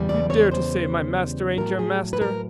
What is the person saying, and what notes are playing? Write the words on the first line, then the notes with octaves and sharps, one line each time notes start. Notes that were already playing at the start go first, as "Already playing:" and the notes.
You dare to say my master ain't your master!
Already playing: E2 C#3 E3 G3
D5
C#5
C5
A2 F#3 A#4
G#4
B4
A#4